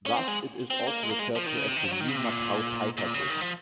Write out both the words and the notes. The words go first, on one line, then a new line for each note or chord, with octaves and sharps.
Thus it is also referred to as the New Macau-Taipa Bridge.
C#4
C4
G#3
C4
A#3
G#3
A#3
G#3
F3
D#3
C#3
C3
D#3
F3
F#3
D#3
C#3
C3
A#2
A#2
C#3
D#3
F3